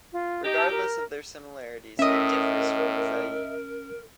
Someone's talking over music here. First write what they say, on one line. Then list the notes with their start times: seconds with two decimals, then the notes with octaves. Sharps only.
Regardless of their similarities, it differs from the Zaï.
0.13 F4
0.45 D#4 G4 D#5
0.57 A5
0.71 A#4
1.99 A2 C#4 A#4 D#5 E5